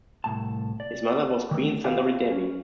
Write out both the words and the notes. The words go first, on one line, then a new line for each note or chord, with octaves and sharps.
His mother was queen Sundari-Devi.
C2 A2 A5
D5
D#3 A3
E4 F4 G4 G#4 B4 F5
C#4